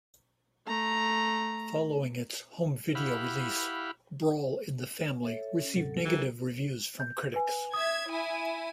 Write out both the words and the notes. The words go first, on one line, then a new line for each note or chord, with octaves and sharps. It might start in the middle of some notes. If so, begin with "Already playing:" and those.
Following its home video release, "Brawl in the Family" received negative reviews from critics.
A3 A#5
E4 G4 F5 F#5 B5
A4 C#5 E5
C#4
D#2 G#2 C3 F#3 A4
C2 E3 G4 A#4
G6
B4 G#5
E5 D#6 G#6
E4 G#5